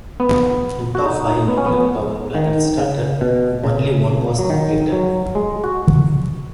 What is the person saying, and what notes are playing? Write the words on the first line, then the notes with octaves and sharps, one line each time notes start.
Out of five nuclear power plants started, only one was completed.
B3
F#4
D#4
B3
C#4
B3
D#3
C#3
B2
C#3
F#3
D#3
F#3
G#3
F#4